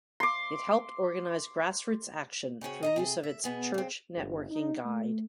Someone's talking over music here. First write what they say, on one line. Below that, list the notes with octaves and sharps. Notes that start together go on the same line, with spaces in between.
It helped organize grassroots action through use of its "Church Networking Guide".
C6 D6
C#3 C4 C#4 F#4
D#5 F5 A#5
C3 G#4 A4
E5
B2 B3 G#4
C#3 C4
G1
D#4
A3